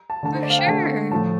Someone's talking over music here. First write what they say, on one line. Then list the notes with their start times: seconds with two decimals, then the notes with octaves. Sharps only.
For sure.
0.10 A5
0.23 D3 A3 A5
0.34 C5
0.43 D5
0.50 F5
0.59 G5
0.67 D3 A3 A5
1.11 A2 F3 A3 A5